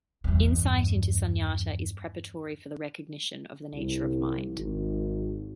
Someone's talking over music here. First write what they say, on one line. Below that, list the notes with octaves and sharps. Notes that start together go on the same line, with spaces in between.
Insight into sunyata is preparatory for the recognition of the nature of mind.
E2 G2
C2
G#1